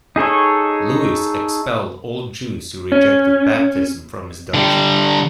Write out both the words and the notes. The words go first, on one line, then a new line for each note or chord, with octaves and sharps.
Louis expelled all Jews who rejected baptism from his duchy.
D#4 G#4 A4 C#5
C#4
D3 G3